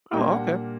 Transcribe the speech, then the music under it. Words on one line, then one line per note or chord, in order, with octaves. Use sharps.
Oh, okay.
A#2 G3 A#3 D4 G5
F#5